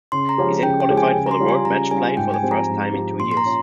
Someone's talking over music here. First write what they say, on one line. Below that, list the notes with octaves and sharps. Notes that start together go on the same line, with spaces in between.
He then qualified for the World Matchplay for the first time in two years.
C#3 C6
A#5
F3 G#3 C#4 G4
C#3 G5
G5
F3 G#3 C#4 G4
G#5
C#3
A#5
C6
G3 C#4 F4
G#5
C#3 A#5
G3 C#4 F4 G#5
G#2 G5
G#5
F3 C4 G4
A#5
G#2
F3 C4 G4
A#2 C6
C6
A#5
C#4 F4